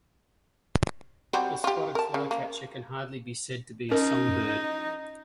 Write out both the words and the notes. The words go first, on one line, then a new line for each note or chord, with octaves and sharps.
The spotted flycatcher can hardly be said to be a song-bird.
F#3 G3 C4
F4 G4
A#4 A5
C#3
A#3
C#4 D#4 A#4